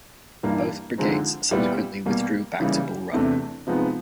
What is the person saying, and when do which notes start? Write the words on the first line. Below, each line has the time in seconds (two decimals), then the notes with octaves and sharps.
Both brigades subsequently withdrew back to Bull Run.
0.43 G2 E3 G3 A#3 D#4
0.98 D3 F3 G#3 C4 D#4
1.51 A#2 G3 B3 E4 G4
2.06 B2 G3 A#3
2.60 C#3 E3 G3 A#3
3.13 E2 C3 E3 A3 D4
3.67 C3 F3 G#3 B3 D#4